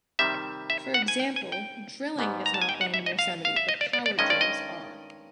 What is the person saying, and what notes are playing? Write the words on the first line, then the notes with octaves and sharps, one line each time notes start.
For example, drilling is not banned in Yosemite, but power drills are.
C3 D#3 G3 C4 E5
E5
F#5
G#5
G5
G#5
G5
G#2 D#3 G3 B3
A#5
A5
G#5
G5
F#5
E5
D#5
F5
F5
E5
D#5
D5
D5
D5
G2 D#3 G#3 C#4 D#5
D5
D#5